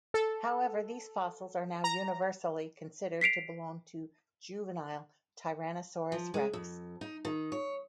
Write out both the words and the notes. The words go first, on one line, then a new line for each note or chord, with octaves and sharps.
However, these fossils are now universally considered to belong to juvenile "Tyrannosaurus rex".
A4
A#5
B6 C7 D7 F7
F3
G#3
F2
D#4
D#3
C#5